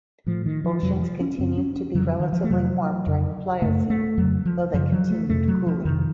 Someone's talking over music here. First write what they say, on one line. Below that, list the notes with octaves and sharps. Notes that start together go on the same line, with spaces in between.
Oceans continued to be relatively warm during the Pliocene, though they continued cooling.
A2 F3
D#3
F3
F2 C3 F#3
D#3
F3
C#4
F#2 C#3 C4
C#4
C#4
F2 C#3 F#3
F3
D#3
F3
A3
F2 C3 F#3
F2 C#3
F#2 C#3 A3
A3
F2 C#3 F#3
F3
F#2 C#3 F3
F#3
A3
F2 C3 A3
F#3
F3
F2 C3 D#3